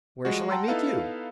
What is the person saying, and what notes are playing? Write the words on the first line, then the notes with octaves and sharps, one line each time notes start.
"Where shall I meet you?"
F3 G3 G#3 F#4
F#5 G5 A5 A#5 C6 E6
B3 D#4 E4 A4 B4 F5